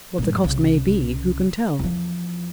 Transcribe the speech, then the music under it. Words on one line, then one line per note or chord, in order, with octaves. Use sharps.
What the cost may be, who can tell?
G2 A#2
C2 C#3
E2 F3